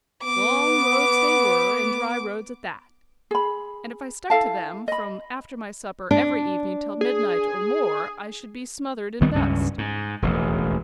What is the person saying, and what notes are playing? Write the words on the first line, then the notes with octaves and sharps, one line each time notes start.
"Long roads they were, and dry roads at that, and if I stuck to them from after my supper every evening till midnight or more I should be smothered in dust."
B3 D6
G#4 B5
E4 A4 F5 A5
D#5 B5
D4
G#4
D2 D#3 G3 B3
C#2 G2 C#4
G#2
E1 A1 D#2